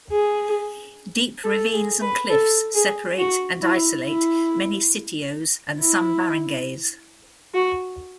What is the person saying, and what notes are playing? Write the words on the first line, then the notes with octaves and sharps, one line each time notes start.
Deep ravines and cliffs separate and isolate many sitios and some barangays.
G#4
A4
G#4
B4
A4
G#4
F#4
E4
E4
E4
F#4